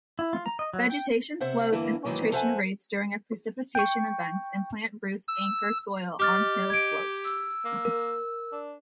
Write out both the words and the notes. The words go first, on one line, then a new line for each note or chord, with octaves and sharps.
Vegetation slows infiltration rates during precipitation events and plant roots anchor soil on hillslopes.
E4
F4
A#5
D#5
F#3
G5
C3 C5 E5 F#5
G2 D3 E3 A#3 E4
G#2 D#3 E3 F#3 A#3
F2 A4 C5 E5 F#5 G#5
G5 C#6
E6
G4 D#5 D6 F6 A6
G#6 D7
E6
A#3
A#4
D4